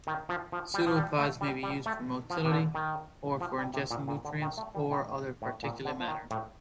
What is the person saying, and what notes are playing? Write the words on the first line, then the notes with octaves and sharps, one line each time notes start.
Pseudopods may be used for motility, or for ingesting nutrients or other particulate matter.
D#3
F3
F3
G3
F3
G3
A3
G3
G3
A3
F3
C3
D3
D#3
F3
G3
C3
A#2
A#2
D3
D#3
A3
G3
D#3
A2
A2
A#2
D3
F3
D#3
A2